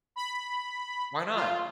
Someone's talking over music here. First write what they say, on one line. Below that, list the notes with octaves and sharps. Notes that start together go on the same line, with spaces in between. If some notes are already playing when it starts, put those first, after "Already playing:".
Why not?
B5
F4